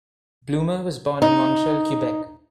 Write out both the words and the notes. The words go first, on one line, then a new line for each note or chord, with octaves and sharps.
Blumer was born in Montreal, Quebec.
D#4